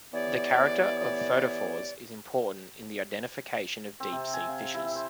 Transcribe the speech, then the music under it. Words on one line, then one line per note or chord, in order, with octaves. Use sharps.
The character of photophores is important in the identification of deep sea fishes.
E3 B3 G4 C#5 D5
C4
C3
G#5
F5
E4
C5